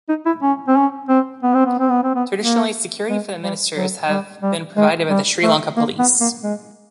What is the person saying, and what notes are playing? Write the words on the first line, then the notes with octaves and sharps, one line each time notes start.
Traditionally security for the ministers have been provided by the Sri Lanka Police.
D#4
E4
C#4
C4
C#4
C4
B3
C4
B3
C4
B3
C4
B3
A#3
G#3
G3
F#3
G3
G3
G#3
G3
A3
A#3
B3
A#3
G#3